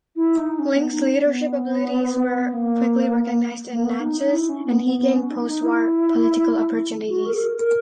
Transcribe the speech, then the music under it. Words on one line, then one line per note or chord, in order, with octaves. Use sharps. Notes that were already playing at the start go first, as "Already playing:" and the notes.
Lynch's leadership abilities were quickly recognized in Natchez, and he gained post-war political opportunities.
E4
D#4
C#4
B3
D#4
B3
B3
A#3
A#3
B3
D#4
D#4
E4
C#4
B3
B3
B3
C#4
D#4
D#4
E4
F#4
A#4
G#4
A#4
A#4